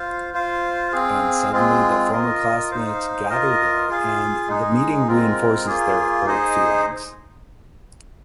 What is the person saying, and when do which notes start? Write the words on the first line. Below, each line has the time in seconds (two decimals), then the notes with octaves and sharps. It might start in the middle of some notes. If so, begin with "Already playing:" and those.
And suddenly the former classmates gather there and the meeting reinforces their old feelings.
Already playing: F4 C5 F5
0.34 F4 C5 F5
0.92 C4 G#4 F5
1.52 G#3 C4 F4 G#4
2.11 F4 A#4 D#5
2.71 D#4 C5 F5
3.29 F4 A#4 D#5
3.89 F4 G#4 F5
4.48 G#3 D#4 G#4
5.07 G#3 C4 F4 A#4
5.66 A#3 F4 G#4
6.26 D#4 G#4 C5 D#5